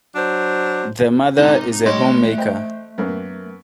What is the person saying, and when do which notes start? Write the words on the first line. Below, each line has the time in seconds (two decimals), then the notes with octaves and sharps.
The mother is a homemaker.
0.15 F#3 D4 C5
1.39 G#2 C3 D#4
1.86 G3 A3 D#4 C#5 C6
2.38 C5 D#5 G5
2.98 F#2 A#3 B3